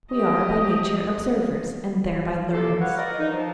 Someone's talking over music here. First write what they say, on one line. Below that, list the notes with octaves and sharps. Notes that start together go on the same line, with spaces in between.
We are by nature observers, and thereby learners.
G4 D#5
D#2 C3 A#3 A4 C6 D6
B4 C#5 F5 F#5
A#4 D5 D#5
D#4
F3 F#3